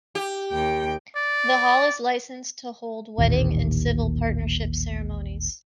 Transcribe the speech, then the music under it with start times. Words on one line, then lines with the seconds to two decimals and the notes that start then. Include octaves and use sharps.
The Hall is licensed to hold wedding and civil partnership ceremonies.
0.15 G4
0.52 D#2 G5
1.16 D5
3.18 A1 D#2 A#2